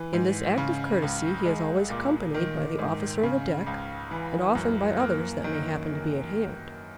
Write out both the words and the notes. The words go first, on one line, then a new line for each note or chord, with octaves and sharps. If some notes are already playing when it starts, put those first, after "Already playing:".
In this act of courtesy he is always accompanied by the officer of the deck, and often by others that may happen to be at hand.
Already playing: E3
G#2
C#3
C#2
G#3
A#2
D#3
G#2
C#3
C#2
E3
F#2
A#3
D#3